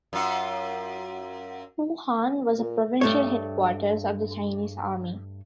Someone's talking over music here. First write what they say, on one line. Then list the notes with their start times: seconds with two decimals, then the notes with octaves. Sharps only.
Wuhan was the provisional headquarters of the Chinese Army.
0.13 F#2 F4
2.58 A#2
3.01 G2 A3 C#5